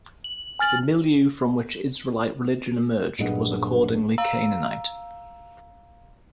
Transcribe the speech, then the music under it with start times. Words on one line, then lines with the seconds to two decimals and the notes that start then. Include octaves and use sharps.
The milieu from which Israelite religion emerged was accordingly Canaanite.
0.24 F#7
0.59 G#5 F6 A6 F#7
3.18 B1 G2 A#2 G#4 D#5 F#5
4.18 F5 A#5 E6